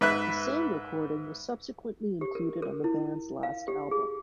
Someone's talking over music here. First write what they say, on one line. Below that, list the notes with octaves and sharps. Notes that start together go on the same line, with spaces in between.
The same recording was subsequently included on the band's last album.
G#2 B4 E5 F#6
G4
A#4
A#4
E4
F5
G4
G#4